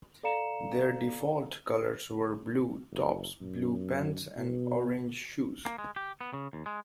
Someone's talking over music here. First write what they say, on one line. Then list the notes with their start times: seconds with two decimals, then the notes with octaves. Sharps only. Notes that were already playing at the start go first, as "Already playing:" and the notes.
Their default colors were blue tops, blue pants and orange shoes.
0.23 A4 D5 F5 A#5 C#7 E7
2.91 F#1
3.41 F#2
4.37 B2
5.65 A#3
5.78 G#3
5.96 G4
6.21 B3
6.33 C#3
6.53 D#2
6.66 G#3